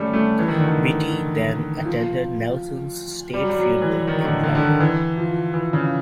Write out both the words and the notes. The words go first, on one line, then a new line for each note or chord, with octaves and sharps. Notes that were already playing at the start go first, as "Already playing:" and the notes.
Beatty then attended Nelson's state funeral in London.
Already playing: G3 A3 C#4
A3
E3
D#3
D3
D#3
F3
G3
F#3
G3
F#3
E3
D#3
D#3
D3
D3
D3
D#3
E3
F3
E3
C#3